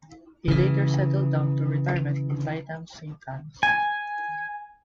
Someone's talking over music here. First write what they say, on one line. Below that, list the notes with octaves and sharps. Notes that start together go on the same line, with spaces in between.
He later settled down to retirement in Lytham Saint Annes.
C#3 E3
G#5